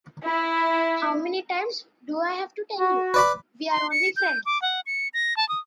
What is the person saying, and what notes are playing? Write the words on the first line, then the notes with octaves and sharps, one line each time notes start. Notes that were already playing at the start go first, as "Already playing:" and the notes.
How many times do I have to tell you? We’re only friends.
E4
F#4
B4 D5 B5
C6
C#7
G6
D6
F#5
C#7
A#6
A5
D#6